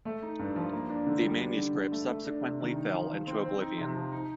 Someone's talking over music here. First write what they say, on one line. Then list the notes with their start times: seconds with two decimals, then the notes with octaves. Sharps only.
The manuscript subsequently fell into oblivion.
0.05 A3
0.23 D#4
0.39 G2
0.56 F3
0.73 A#3
0.90 D4
1.07 D3
1.23 G3
1.41 D4
1.58 D3
1.74 D3
1.92 A3
2.08 A3
2.25 D4
2.43 C3
2.60 D#3
2.76 D#4
2.93 F3
3.11 F3
3.27 C4
3.45 C4
3.61 D#4
3.78 C3
3.95 F3
4.12 D#4